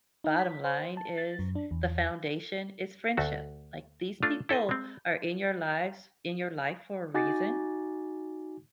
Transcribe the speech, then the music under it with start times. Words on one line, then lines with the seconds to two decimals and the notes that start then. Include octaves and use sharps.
bottom line is the foundation is friendship. Like, these people are in your lives in your life for a reason
0.24 D#4
0.39 B6
0.64 C5
0.97 A5
1.18 A6
1.39 F#2
1.55 D4
1.71 E2
3.17 D2 A3 F#4
4.23 A3 D4 F4
4.49 E4 A4 C5 D#5
4.69 G#3 C4
7.15 D#4 F#4 G#5 D6 A6